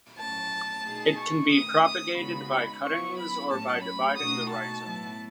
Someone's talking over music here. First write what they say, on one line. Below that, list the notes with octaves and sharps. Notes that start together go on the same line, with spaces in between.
It can be propagated by cuttings or by dividing the rhizome.
A2 F#3 C#4 A5
B2 A3 D#4 G#4
C#6
D#3 A3 C#4 D#6
D#6
C#3 G#3 B3 D#4 F#4 B5
F#3 B3 E4 C#6
B5
A2 F#3 A3 C#4 A5
B5
B2 A3 D#4 F#4 D#6
A5
A2 F#3 B3 E4